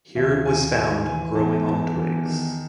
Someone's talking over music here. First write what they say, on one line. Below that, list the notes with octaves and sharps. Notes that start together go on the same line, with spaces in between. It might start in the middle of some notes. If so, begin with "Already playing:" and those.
Here it was found growing on twigs.
D#2 E5
D#2 G#5
D#2 G#5
E3 G#5
E2 A5
E3 A5
E2
D#3